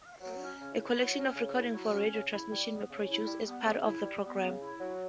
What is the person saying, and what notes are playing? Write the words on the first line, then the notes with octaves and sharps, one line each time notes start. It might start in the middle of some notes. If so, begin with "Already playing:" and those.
A collection of recordings for radio transmission were produced as part of the programme.
F#3
C#4
C#3
E4
F#3
C#4
C#3
E4
F#3
C#4
C#3
E4
G3
B3
C#3
E4
G3
B3
C#3
E4
G3
B3
C#3
E4
F#3